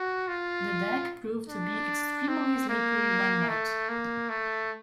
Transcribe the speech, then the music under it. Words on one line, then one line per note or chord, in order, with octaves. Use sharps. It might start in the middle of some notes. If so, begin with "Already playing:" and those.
The deck proved to be extremely slippery when wet.
Already playing: F#4
F4
D4
C4
A#3
A3
A#3
A3